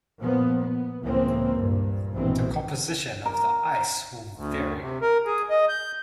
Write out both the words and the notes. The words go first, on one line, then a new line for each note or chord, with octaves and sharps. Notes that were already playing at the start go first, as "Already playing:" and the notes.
The composition of the ice will vary.
A#2 F3 B3
B3
C#2 A2 C#3 E3 A#3 C4
G2 A#2
A#1 B2 E3 C4
A#4
D2
C3
A#4
G#4
D#5
G6